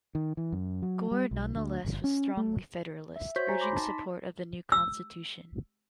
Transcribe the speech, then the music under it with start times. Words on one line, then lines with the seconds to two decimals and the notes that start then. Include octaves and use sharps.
Gore nonetheless was strongly Federalist, urging support of the new Constitution.
0.15 D#3
0.37 E3
0.52 F#2
0.82 F#3
1.11 G3
1.31 B1
1.56 D2
1.85 G1
2.04 C#4
2.37 A3
3.16 E5
3.36 F#4 C5 C#5 G6 B6
3.49 G#5 A#5
3.60 B5 C6 D6 A#6
3.73 D#4 A5
3.89 B6
4.72 E6